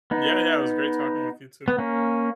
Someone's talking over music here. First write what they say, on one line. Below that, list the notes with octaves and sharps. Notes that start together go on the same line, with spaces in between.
Yeah, yeah. It was great talking with you, too.
B3 D#4
B3
A#3 C#4